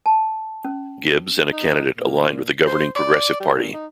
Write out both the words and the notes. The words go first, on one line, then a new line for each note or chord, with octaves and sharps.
Gibbs and a candidate aligned with the governing Progressive Party.
A5
C#4
D#4
A#2
C5
D5
G3
A#2
D#4